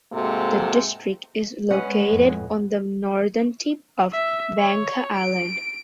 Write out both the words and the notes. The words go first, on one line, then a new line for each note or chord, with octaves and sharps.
The district is located on the northern tip of Bangka Island.
G#2 C3 A#3 F#4 A4
G#3 C#4 B4 D#5 F#5
F2 A2
E5
C#5
D7